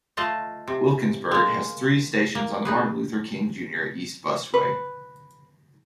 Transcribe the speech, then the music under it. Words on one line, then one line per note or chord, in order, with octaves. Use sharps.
Wilkinsburg has three stations on the Martin Luther King Junior East Busway.
A3 F4 D#5 A5
C3
G#3 A#3
A#3
D#4 G#4 B4
B4